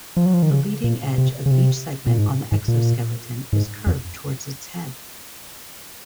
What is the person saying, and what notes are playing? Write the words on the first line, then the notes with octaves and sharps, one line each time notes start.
The leading edge of each segment on the exoskeleton is curved towards its head.
F3
F#3
F3
D#3
C#3
A#2
C3
C#3
C3
A#2
G#2
G#2
A#2
G#2
F2